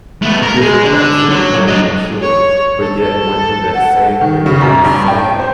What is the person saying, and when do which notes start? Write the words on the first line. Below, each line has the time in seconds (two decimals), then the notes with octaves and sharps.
different parts of the planet, I'm sure, but yet went through that same thing. That is sad.
0.22 A3 B3
0.43 A#4
0.62 G#3 G#4
0.84 D3
1.30 F#3
1.68 D4 D#5
2.22 C#5
2.81 A4
3.75 F#5
4.21 D#3
4.46 C#3
4.61 F#2
4.84 G2
5.08 G5
5.39 C5